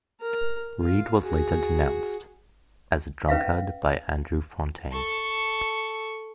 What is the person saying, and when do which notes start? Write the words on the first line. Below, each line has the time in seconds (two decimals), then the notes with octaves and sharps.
Read was later denounced as a drunkard by Andrew Fountaine.
0.21 A#4
0.82 F4
1.20 F#4 G#4
3.28 C#4 B4 E5 F5
4.92 A4 C#6